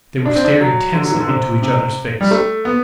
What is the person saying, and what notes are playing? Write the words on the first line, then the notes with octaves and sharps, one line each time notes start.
They were staring tensely into each other's face.
D4
C4
D4
F#3
D3
F#3
E3
D3
C3
C3
G3
A3
B3